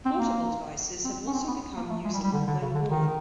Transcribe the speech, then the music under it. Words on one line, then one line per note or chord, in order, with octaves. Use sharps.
Portable devices have also become usable when worn.
C4
A#3
C4
C#4
C4
B3
A#3
A3
G#3
G3
G3
D3
D3
C#3
D3
D#3